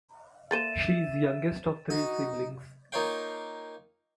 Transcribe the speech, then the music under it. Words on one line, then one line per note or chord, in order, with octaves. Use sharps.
She is youngest of three siblings.
A#3 A4 C5 E5 A6 D#7 E7
D#4 F#4
A#3 D#4 F4 C#5 F5 G5